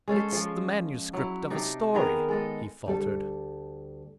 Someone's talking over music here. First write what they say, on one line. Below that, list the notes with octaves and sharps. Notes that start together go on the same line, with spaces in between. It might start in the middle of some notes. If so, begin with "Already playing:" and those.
"It's the manuscript of a story," he faltered.
G#3 C#4 A4 C5
F3 G#3
F#3 E4
C3 D4 D#4
D#3 B3 G#4 A#4
G#3 A4 D#5
D2 G3 A4